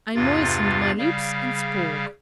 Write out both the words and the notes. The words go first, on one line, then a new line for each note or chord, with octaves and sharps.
I moistened my lips and spoke.
E2 G2 C3 F4 F5 A6
C#3 G3 F5